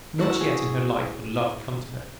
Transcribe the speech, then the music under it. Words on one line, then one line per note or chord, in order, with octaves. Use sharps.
Not yet in her life had love come to her.
E4 F#4 F#5 A5
G#4